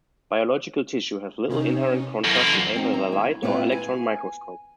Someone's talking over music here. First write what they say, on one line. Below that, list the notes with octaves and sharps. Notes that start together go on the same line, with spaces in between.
Biological tissue has little inherent contrast in either the light or electron microscope.
C3 C#4 D#4
F#2 E3 A#3 A4
C4 D#4
A#5
D#2 E4
A#3 C4 E4 F4 B4
G#5